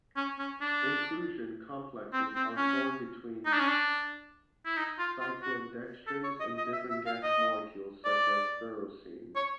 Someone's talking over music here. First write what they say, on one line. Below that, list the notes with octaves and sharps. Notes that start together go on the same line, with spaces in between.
Inclusion complexes are formed between cyclodextrins and different guest molecules such as ferrocene.
C#4
C#4
D4
C4
C4
C#4
D#4
D4
C#4
D4
E4
D#4
F4
F4
F#4
A4
C#5
D#5
D#5
E5
E5
F5
D#5
D5
C#5